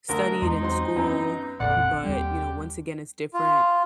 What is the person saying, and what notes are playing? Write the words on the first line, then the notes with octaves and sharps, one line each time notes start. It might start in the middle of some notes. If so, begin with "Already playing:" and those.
study it in school, but, you know, once again, it's different
D2 D4 A#4
E2 G#3 D#4 C6
F#3 C4 C6
F#2 B3 C4 B4
F1 A#1 F2 D3 D5 F#5
D#2 G3 C4 G4
F4